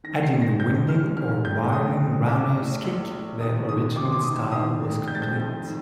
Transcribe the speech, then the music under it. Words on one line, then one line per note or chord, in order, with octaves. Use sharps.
Adding the Winding or Whirling Roundhouse Kick the original style was complete.
D#3 A#6
C7
F1
A#6
F1 G6
D#2 F6
D#3 F6
F1 G6
F1 D#6
F2
A#1 D6
A2
A#1
A2
D#2 D#6
D#3 D#6
D#2 D6
C6
D6
D#3 D#6
D#3 D#6
F1
F1 G6
A6
G6
F2
D#3